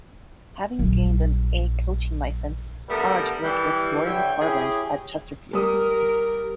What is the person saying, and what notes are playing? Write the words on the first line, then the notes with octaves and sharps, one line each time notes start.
Having gained an A coaching licence Hodge worked with Roy McFarland at Chesterfield.
A#1 F#3
D3 G3 A3 B3 A4 A#4
E3 G3
D3 G3 C#5 E5 G5
C#4 E4 G4 G#4
G3 A#4 D#6